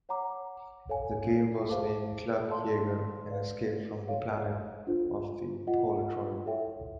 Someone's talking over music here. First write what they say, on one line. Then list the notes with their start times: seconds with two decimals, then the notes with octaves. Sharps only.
The game was named "Cluck Yegger in Escape From The Planet of The Poultroid".
0.09 C#5 F#5 A#5 D6
0.89 A4 C#5 F5 G#5
1.69 G#4 C5 F5 A5 D6
2.48 A4 D5 F5 A5 C6
3.29 B4 D5 F5
4.08 A4 C#5 F5
4.87 D4 F4 A4 C5
5.67 F4 A#4 D#5 F#5
6.46 E4 A4 C#5 E5 G5